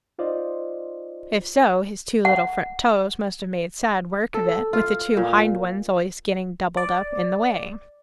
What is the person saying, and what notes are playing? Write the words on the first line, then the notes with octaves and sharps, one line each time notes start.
If so, his two little front toes must have made sad work of it, with the two hind ones always getting doubled up in the way.
D#4 F4 C5 D5 D#5
F#5
A4
F4
A#2
D5